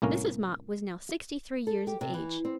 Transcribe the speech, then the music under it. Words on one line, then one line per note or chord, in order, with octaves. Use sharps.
Mrs. Mott was now sixty-three years of age.
C2 A2 A#3 C#4 A#4
A4
G4
C3
E3
C4